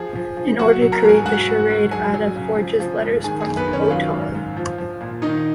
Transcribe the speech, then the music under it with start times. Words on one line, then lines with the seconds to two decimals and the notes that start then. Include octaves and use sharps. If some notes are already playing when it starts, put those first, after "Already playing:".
In order to create the charade, Ada forges letters from Otar.
Already playing: F3 G#4
0.15 F3
0.37 F3
0.59 F#3 F#4 F#5
0.82 F#3
0.92 A#4 A#5
1.03 G#2 A#5
1.09 G#4 G#5
1.26 G#2 F#4 F#5
1.48 G#2
1.70 G#2
1.91 F#3 G#4 G#5
2.14 F#3
2.36 C#3
2.57 F3
2.80 F3
3.02 G#2
3.24 D#3 G#4 G#5
3.41 G#4 G#5
3.46 F#2
3.57 B3 B4
3.68 D#3
3.73 C#4 C#5
3.90 F#3 F4 F5
4.12 G#2
4.35 G#2
4.57 F3
4.78 F3
5.01 A#2
5.22 D#3 D#4 D#5